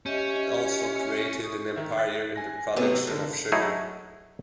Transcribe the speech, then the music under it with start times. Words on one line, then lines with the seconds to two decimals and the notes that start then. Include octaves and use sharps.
He also created an empire in the production of sugar.
0.06 C#4 G4 D#5 E5
1.42 C#6 D#6
1.76 D#3 E5
1.97 F#6 A6 B6
2.36 G#5 A#6
2.76 C3 F#3 A3 B3 C4
3.07 F2 D3 A#4
3.52 F#3 A3 D#4 E4 G#4